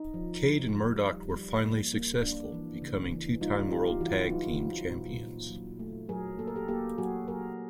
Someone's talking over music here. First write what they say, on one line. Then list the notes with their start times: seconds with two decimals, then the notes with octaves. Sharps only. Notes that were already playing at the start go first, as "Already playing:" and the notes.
Cade and Murdoch were finally successful, becoming two time World Tag Team Champions.
Already playing: D#4
0.14 F3
0.44 F3
0.74 G3
1.03 G3
1.33 G3
1.63 A#3
1.93 A#3
2.23 D4
2.52 E3
2.82 C#3
3.11 E3
3.41 G3 D#4 F4
3.71 G3 F4 G4
4.01 E3 E4 F#4
4.31 F#3 D#4 F4
4.60 C4
4.90 A#2
5.19 A#2
5.49 F#3
5.79 A3
6.09 F#3 G#4 A#4
6.39 A#3 A4
6.47 A#4
6.56 G4 A4
6.68 A#3 G4 A4
6.98 F#3 F#4 G#4
7.28 F#3 G#4 A#4